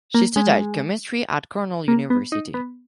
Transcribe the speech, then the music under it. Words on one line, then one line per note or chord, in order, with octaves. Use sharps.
She studied chemistry at Cornell University.
A#3
G#3
A#3
B3
D#4
B3